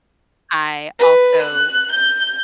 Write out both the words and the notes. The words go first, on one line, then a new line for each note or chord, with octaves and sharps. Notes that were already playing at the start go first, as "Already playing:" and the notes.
I also
B4
F#6
G6